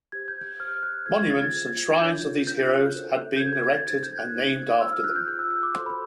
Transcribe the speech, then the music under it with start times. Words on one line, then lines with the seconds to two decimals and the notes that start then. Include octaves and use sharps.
Monuments and shrines of these heroes had been erected and named after them.
0.12 G4 C5 G#6
0.28 G6
0.60 C5 F6
0.63 G4
0.83 F#6
1.06 F4 G#4 C5 G#6
1.18 G#6
1.30 A6
1.42 G#6
1.53 F4 G#4 C5
1.99 D4 F4 A#4 C#5 G6
2.47 D4 F4 A#4 C#5 G6
2.63 F#6
2.93 F#4 A4 C5
3.36 G6
3.40 F#4 A4 C5 G#6
3.53 G#6
3.63 G#6
3.75 A6
3.87 D#4 G4 C5 G#6
4.03 G6
4.18 F#6
4.34 D#4 G4 C5
4.81 F4 G#4 C5 E6
4.92 F6
5.04 F#6
5.16 G6
5.27 F4 G#4 C5 F#6
5.39 E6
5.51 E6
5.63 D6
5.75 F#4 A4 C5 C6
5.86 B5